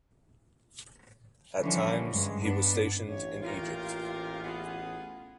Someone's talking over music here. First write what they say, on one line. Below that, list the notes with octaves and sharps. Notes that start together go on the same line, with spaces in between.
At times, he was stationed in Egypt.
D3 E3 F3 G3 C#4
G2 G#3
B3 D4
A1 C#5
A#2 F4 G4 A#4
B3 G#4